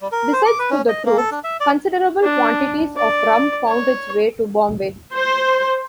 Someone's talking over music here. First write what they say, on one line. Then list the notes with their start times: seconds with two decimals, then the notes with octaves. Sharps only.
Besides to the troops, considerable quantities of rum found its way to Bombay.
0.01 G3
0.12 A#4
0.33 C5
0.45 D6
0.59 B4
0.71 C#4
0.88 D#5
1.06 A#3
1.17 A4
1.31 D4
1.44 E5
1.60 D5
2.23 D4
2.97 D5
3.67 C#5
5.13 C5